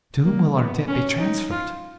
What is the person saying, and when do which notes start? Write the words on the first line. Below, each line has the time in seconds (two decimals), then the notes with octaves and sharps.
"To whom will our debt be transferred?"
0.25 A#3
0.57 B3
0.88 C#4
1.19 D#4
1.51 F4